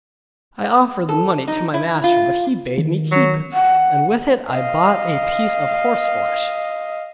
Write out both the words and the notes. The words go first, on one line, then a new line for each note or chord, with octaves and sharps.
I offered the money to my master, but he bade me keep it; and with it I bought a piece of horse flesh.
A4
D#4
E4
F4
D#3
F#3
F#5
D#5 F5